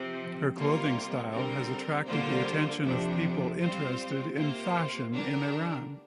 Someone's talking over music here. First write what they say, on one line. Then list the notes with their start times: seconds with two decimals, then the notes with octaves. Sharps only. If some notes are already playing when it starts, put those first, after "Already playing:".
Her clothing style has attracted the attention of people interested in fashion in Iran.
Already playing: C3 F3 C4
0.56 C3 G3 A#3 F4 A#4
1.32 D3 G3 C4 A#4
2.08 D3 G3 A#3 F4 C5
2.84 F2 C3 F3 D4
3.60 G3 C4 F4 C5
4.36 C3 A#3 F4 C5
5.12 D3 G3 D4 A#4